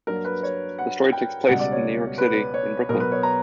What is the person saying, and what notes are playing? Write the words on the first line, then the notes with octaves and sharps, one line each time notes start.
The story takes place in New York City, in Brooklyn.
G2 F#3 A#3 A#4
B4
C#5
F#5
G5
C#2 B2 G3 F#5
D5
C#5
B4
C#5
B2 F#3 B3 A#4
B4
C#5
A#5